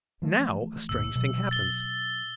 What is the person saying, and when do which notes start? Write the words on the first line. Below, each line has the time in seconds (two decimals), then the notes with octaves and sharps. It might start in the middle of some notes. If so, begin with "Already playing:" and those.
Now a strange thing happens.
0.22 E3 F3 A3
0.89 G1 D2 A#2 E6
1.16 B2 F#3
1.51 A6 G7